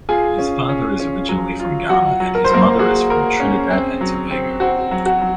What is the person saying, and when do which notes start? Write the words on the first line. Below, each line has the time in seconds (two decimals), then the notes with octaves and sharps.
His father is originally from Ghana and his mother is from Trinidad and Tobago.
0.09 F4 G#4 G#5
0.38 C#4
0.69 C#4
1.00 C#4
1.29 F#3
1.60 F4
1.89 F#3 F#4 F#5
2.20 F#3
2.35 A#4
2.44 C5
2.50 F#3 A#3 A#4
2.79 F#4 G#4
3.10 A#4
3.40 C#4
3.70 C4
4.01 F#3
4.31 C4
4.60 C4 F#4
4.91 F#3
5.06 F#4
5.21 F#3